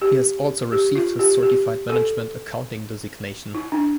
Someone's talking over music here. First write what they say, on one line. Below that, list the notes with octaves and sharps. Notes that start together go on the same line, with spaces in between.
He has also received his Certified Management Accounting designation.
G4
G4
F4
G4
G4
A4
E4
D4